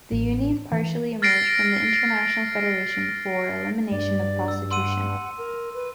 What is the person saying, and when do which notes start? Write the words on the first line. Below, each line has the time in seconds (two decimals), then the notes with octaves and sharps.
The union partially emerged from the International Federation for Elimination of Prostitution.
0.12 A1
0.72 E3
1.22 F6 A6 A#6 C7 D7
3.91 G2 D5
4.48 E6
4.71 F#5 C6 E6 D#7
5.38 A#4
5.74 B4